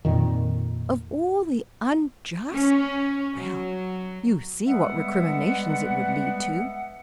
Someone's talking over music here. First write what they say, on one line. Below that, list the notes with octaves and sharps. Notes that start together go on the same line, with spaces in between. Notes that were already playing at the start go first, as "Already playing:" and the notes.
Of all the unjust--Well, you see what recriminations it would lead to.
F2 A#2 D#3
C#4
F#3
G3 G#3 B3 B4 E5 F#5